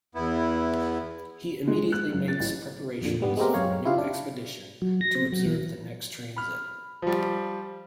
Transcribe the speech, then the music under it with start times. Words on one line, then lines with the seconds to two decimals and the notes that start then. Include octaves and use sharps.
He immediately makes preparations for a new expedition to observe the next transit.
0.15 E2 B3 E4
1.68 G#3
1.92 F#6
2.12 F#2
2.28 A6
2.40 A1
3.01 F2 A#2 D3
3.21 G#2 G3 B3
3.37 G#3 A3 B3 C4 G4 A#4
3.54 F#2 C#5 F5
3.86 E4 F4 G4 F5
3.98 D4
4.82 F#3
5.01 A#6
5.15 C4
5.32 F#3
5.46 E3
6.36 B5 F6
7.02 F3 G3